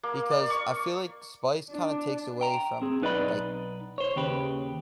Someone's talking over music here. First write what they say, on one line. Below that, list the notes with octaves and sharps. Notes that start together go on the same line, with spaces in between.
because I feel like spice kinda takes away from, like,
A#3
D5
C#6
D4
G5 A#5
C4 G#4
B1 D#4 B4 D5 D#5 B5
C5 C#5
D#2 C#3 G4 B4